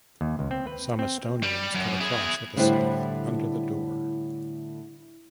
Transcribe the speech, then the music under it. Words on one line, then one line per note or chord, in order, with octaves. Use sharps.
Some Estonians cut a cross with a scythe under the door.
D#2
C#2
C4
B4
C4
G3
F#2
E4 G#4
A2 D3 G3 E4 C5 F#5